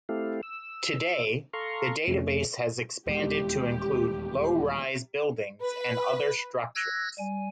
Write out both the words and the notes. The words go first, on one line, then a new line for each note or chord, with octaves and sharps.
Today, the database has expanded to include low-rise buildings and other structures.
A3 C4 E4 G4 A4 F5
E6
A4 F5 A#5 C6 C#6
F2 C3 A3 C#4
D#1 E2 G#3 G4
B4
E6 F#6 G#6 A#6
G3 G#5